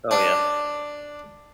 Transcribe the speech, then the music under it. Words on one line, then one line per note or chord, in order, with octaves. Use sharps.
Oh, yeah.
D4